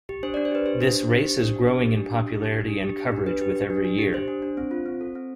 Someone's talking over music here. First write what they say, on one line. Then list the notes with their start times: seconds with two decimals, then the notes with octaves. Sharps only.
This race is growing in popularity and coverage with every year.
0.09 G4
0.23 D4 C5
0.34 D5
0.37 D4
0.45 C5
0.51 G4 B4
0.66 G4 C5
0.81 D4
0.95 D4
1.10 G4
1.24 G4
1.39 D4
1.54 D4
1.68 G4
1.82 G4
1.97 D4
2.10 D4
2.26 G4
2.40 G4
2.54 D4
2.68 D4
2.83 G4
2.98 G4
3.12 D4
3.26 D4 B4
3.41 G4
3.56 G4
3.70 D4
3.85 D4
3.98 G4
4.13 G4 C5
4.28 D4
4.42 D4
4.57 C4
4.71 F4
4.86 C4
5.01 A4
5.15 C4